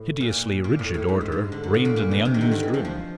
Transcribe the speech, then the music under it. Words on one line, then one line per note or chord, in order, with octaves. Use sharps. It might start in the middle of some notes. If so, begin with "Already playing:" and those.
Hideously rigid order reigned in the unused room.
Already playing: A2
A#2
A#2
A2
A2
G#2
G2
G#2
D3
D3
A2
A#2
A#2
B2
C3
D#3
D3
D#3
E3
F3
F3